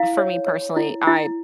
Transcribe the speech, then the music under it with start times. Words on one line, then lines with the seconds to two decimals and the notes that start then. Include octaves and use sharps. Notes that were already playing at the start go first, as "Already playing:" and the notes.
for me personally, I,
Already playing: E4 F5
0.18 C#5
0.47 C#5
0.76 E4
1.07 E4